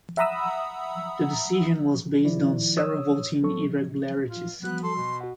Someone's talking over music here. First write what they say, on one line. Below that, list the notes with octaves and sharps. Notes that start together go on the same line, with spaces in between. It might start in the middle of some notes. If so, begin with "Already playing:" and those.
The decision was based on several voting irregularities.
E5 F#5 A#5 B5 D#6 E6
D#3 F3 E4 D5
C#5 D#6 E6
F#3 C4 A4 C#6
F4
F3 G3 B3 F#4 F#6
A4 C6
B2
F#4 F#5